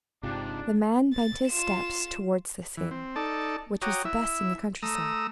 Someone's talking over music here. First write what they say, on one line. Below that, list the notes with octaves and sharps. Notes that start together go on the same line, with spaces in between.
The man bent his steps towards this inn, which was the best in the country-side.
G1 G#2 C3 D4 F4 G4
A6
F4 E7
E3
C4
D#4 A4 D5 A5
F#4 C#5 G5 A#5 D6 D#6
E4 E5
A3 A#5 D#6 E6